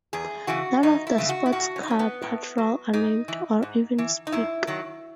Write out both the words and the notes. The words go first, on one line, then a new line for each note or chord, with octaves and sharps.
None of the Sports Car Patrol are named or even speak.
E2 G#4
C#3 E3 F#4
E2 D#4
E4
C#3 E3
F#4
E4
A2 F#4
C#4
D#4
F#3 C#4
B3
A2
F#3
G#2 D#4
E3
G#2
E3
D#4
F#2 E4
D#3 F#3